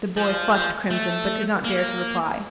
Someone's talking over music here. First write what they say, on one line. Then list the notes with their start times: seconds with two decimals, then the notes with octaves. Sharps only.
The boy flushed crimson but did not dare to reply.
0.17 F3
0.91 A3
1.64 A#3